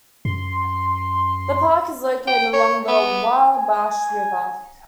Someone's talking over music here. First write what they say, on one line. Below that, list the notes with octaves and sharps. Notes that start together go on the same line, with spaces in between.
The park is located along the Wabash River.
F#2 C6
G5
C#5
B3
G#5